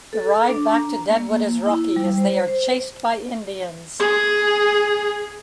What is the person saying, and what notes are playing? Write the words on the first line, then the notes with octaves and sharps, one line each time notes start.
The ride back to Deadwood is rocky, as they are chased by Indians.
A4
D4
A#5
A#3
E4
G3
C5
C5
G#4